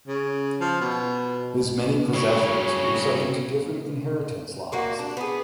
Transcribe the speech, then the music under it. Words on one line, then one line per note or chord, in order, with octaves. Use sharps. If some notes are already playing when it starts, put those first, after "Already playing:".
His many possessions were subject to different inheritance laws.
C#3
F3
B2
G2 C#3 F#4 C#5
G3 A#3 F#4
D4
B3 G#4